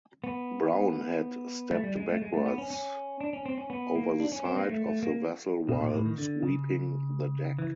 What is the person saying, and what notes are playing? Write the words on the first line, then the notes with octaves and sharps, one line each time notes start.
Brown had stepped backwards over the side of the vessel while sweeping the deck.
B3
A3
G3
G#3
A3
G#3
A3
B3
C#4
C#4
D4
C#4
C4
C#4
B3
A#3
D4
C#4
C4
A#3
A3
A3
A#3
B2
A#2
A2
D#3
D3
C#3
E3